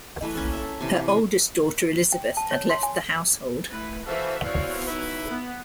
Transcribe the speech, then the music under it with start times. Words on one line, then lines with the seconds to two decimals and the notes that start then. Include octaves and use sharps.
Her oldest daughter, Elisabeth, had left the household.
0.22 E3 A3 B4
0.35 A#3 C#4 A4
0.53 A4 E5
0.81 C3 E3
1.08 G#5
2.12 G5
2.37 A5
2.51 C#5
2.70 C6
2.83 G#5
3.71 E3 A3 B4
4.07 E3 F#4 A4 C5 E5 F5
4.44 E3 B3 C4 F#4 C#5 D5 F5
4.87 D#4 E4 B4 E5
5.30 B3